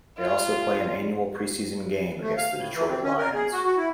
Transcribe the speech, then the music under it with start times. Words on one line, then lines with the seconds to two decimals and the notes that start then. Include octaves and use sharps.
They also play an annual preseason game against the Detroit Lions.
0.18 F4
2.22 A3
2.37 F5
2.57 A2
2.75 E3
2.89 C4
3.03 C#4
3.18 A#4
3.34 G#4
3.52 F#4
3.65 F#4
3.77 E4